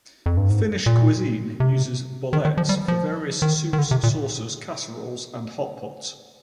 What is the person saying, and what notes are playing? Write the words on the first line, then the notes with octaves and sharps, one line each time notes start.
Finnish cuisine uses boletes for various soups, sauces, casseroles, and hotpots.
F2
G2
G#2
A#2
C3
D#3
D#3
F3
G3
F3
D#3
D#3
D3
C3
A#2